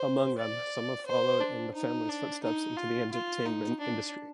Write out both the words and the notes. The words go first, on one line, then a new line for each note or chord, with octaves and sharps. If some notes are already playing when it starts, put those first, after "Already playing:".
Among them, some have followed in the family's footsteps into the entertainment industry.
Already playing: C5
D5
C5
D4
D#4
D4
D#4
F4
F4
D#4
D4